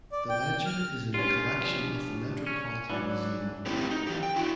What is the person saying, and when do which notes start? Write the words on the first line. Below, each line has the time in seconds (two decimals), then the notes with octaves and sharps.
The ledger is in the collection of the Metropolitan Museum of Art.
0.12 D5
0.30 G5
0.66 F6
1.14 G3 C#4 D4 F4
1.59 F3 G3 C#4 D4
2.47 C#4
2.90 E3 F#3 D4 D5
3.66 A3 C4 C#4 E4 G4
3.90 D#4
4.07 E3 G4
4.23 G5
4.36 E4 F#4